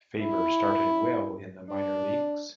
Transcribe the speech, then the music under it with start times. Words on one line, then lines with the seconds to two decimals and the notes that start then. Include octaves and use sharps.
Faber started well in the minor leagues.
0.20 E4
1.70 D4